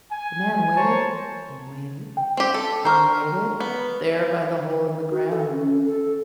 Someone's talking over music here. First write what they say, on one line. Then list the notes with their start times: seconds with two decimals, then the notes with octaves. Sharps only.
The man waited and waited and waited there by the hole in the ground.
0.11 G#5
0.76 C5 C#5 A5 A#5
2.17 G5
2.37 C4 G4
2.54 A4
2.85 A#4 C5 A#5 C#6 F6
3.60 B3
5.11 F#4
5.31 A4
5.52 C#4
5.86 A4